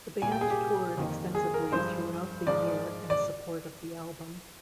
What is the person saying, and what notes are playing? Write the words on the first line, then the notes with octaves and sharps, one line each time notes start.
The band toured extensively throughout the year in support of the album.
A#2 G3 A#3 G#5
G5
G#4
G4
F2 D#3 A#3
G#4
A#4
G2 F3 G#3 C5
G#2 F3 G#3 D5
D5